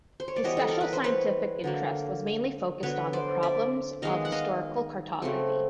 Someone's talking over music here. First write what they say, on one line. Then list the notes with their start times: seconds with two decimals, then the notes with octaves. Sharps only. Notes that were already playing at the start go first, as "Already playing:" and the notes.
His special scientific interest was mainly focused on the problems of historical cartography.
0.20 C5
0.28 C#5
0.36 D5
0.44 E3 G3 B3 C#5 D#5
0.57 A4
0.68 A#4
0.81 B4
0.93 C5
1.04 B4 C#5
1.64 D3 F#3 A#3
2.83 D3 F#3 B3 B4 C#5
3.13 C5 D5
3.43 D5 E5
4.02 D#3 G#3 B3 D#5 F5
4.25 F#5
4.32 D#5 F5
5.22 C#3 F#3 A3 C4